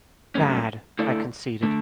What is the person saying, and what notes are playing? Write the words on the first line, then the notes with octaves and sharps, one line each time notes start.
"Bad," I conceded.
G2 F#3 A3 C#4
D3 A3 E4 A4 D5
D3 A3